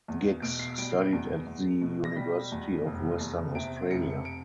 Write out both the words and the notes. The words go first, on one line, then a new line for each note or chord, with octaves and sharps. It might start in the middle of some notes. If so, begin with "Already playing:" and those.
Giggs studied at the University of Western Australia.
E2
B2 D7
C7
G3 D7
E2
E2
B2
A#6
G3 B6
E2
F1
E2
C3 D7
F1 C#7
D7